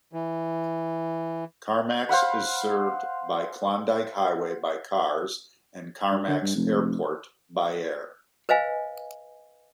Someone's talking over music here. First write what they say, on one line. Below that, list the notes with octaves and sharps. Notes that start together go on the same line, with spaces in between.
Carmacks is served by Klondike Highway by cars and Carmacks Airport by air.
E3
C5 F5 F#5 B5
G2
D3
G2
F1
B4 C5 D#5 F5 G#5